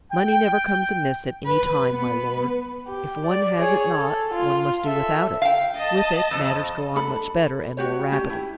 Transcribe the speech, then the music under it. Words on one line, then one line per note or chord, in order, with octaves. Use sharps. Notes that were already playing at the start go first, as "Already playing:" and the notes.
"Money never comes amiss at any time, my lord; if one has it not, one must do without it; with it, matters go on much better and more rapidly."
G5
B4
B3 B4
G4
D5
G#4 C#5
A4
F4
A4 E5
F5 G5
D#5 A5
F2
D4 A4 B5
F#4 G4 C#5
C#4 D4 G4
E4